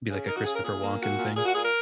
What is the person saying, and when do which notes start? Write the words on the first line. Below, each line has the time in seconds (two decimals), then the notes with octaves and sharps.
be like a Christopher Walken thing.
0.09 C#3
0.27 D#4 A#4
0.36 F#4
0.45 C#3 G#4
0.54 A#4
0.63 A#2 G#4
0.82 A#3
1.00 A#2 F#4
1.17 A#2
1.36 A#2 G#4
1.46 F#4
1.55 A#2 G#4
1.64 A#4